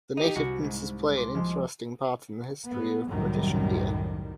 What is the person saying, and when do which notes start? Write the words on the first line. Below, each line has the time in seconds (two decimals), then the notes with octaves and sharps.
The native princes play an interesting part in the history of British India.
0.17 D#4 G4
0.36 C2 F#4
0.64 G#2
1.16 C6 D6
1.35 F3 G#3
2.69 G#2 B3
3.09 C2 F#2 A2 D#3 G3